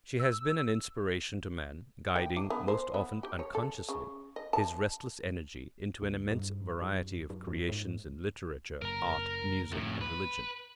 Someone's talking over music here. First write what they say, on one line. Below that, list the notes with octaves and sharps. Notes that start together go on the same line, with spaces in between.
She has been an inspiration to man, guiding, most often unconsciously, his restless energy into an immense variety of creations in literature, art, music and religion.
E6
G5
D4
B3
C5
B3
G4
C#5
A4
C#3
D#5
A5
C#2
G2
F#2
F#2
F2
G#2
F#1 A#4 A#5
F2 A2
B4